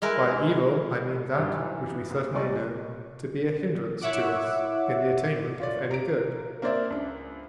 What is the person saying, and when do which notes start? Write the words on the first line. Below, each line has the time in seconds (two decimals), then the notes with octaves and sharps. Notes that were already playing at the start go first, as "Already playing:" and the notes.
By evil I mean that which we certainly know to be a hindrance to us in the attainment of any good.
0.02 G#3 E4 A#4 B4
1.35 G2 E3 F#3 D4 D#4 G4
1.56 E3
1.91 B3
2.10 A#1
2.34 C#2 G3 D5 D#5 C#6
4.01 E4 C#5 E5 F#5 D6
5.60 F4 C#5 D5
5.91 A#5 D7
6.62 A#3 C4 A#4 C5 D5 E5
6.90 C#2 D4